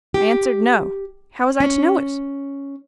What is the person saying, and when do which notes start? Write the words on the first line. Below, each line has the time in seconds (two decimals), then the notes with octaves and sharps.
I answered, No; how was I to know it?
0.14 G4
1.60 C#4